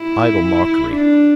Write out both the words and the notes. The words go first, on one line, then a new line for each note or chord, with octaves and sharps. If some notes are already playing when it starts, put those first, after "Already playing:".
Idle mockery.
Already playing: E4
D4